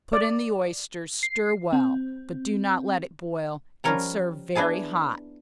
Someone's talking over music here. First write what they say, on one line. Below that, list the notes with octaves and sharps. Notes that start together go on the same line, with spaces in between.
Put in the oysters, stir well, but do not let it boil, and serve very hot.
D5
C7
C4
F3 G3 C#4 A#4 C#5 A#5
B3 D4 E4 G#4 A5